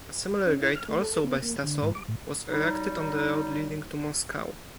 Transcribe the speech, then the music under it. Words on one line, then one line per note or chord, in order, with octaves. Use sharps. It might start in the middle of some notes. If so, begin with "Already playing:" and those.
A similar gate, also by Stasov, was erected on the road leading to Moscow.
C#4
E4
F6
A3
A4
B3
A#3
D3
G#2
D6
A2
F#3 G3 D#4